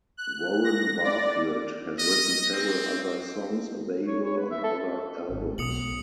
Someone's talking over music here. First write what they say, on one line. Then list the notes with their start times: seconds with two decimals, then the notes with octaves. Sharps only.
Warren Barfield has written several other songs available on other albums.
0.17 F#6
0.64 A#6
1.04 D5
1.99 D#5
2.52 C4
4.07 C#5
4.25 C#5
4.37 B4
4.51 E5
4.64 A4
5.29 G#1
5.58 B1 B2 D#6 C#7 F#7